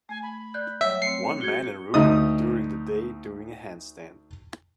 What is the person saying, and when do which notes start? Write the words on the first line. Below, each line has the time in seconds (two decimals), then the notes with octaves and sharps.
One man in a room during the day doing a handstand.
0.09 A3 G#5
0.23 B5
0.54 D5 F#6 G6
0.81 F#3 G3 C#5 E5
1.02 A3 C4 C7 C#7
1.41 F#4 G6 G#6 C#7 G7
1.94 D2 D#4 D#6